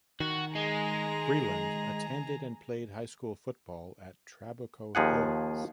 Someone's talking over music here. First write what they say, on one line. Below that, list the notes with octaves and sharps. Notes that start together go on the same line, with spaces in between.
Breeland attended and played high school football at Trabuco Hills.
D#3 F#4
G#3 G#4 A#5
D#2 F3 G#4 F#5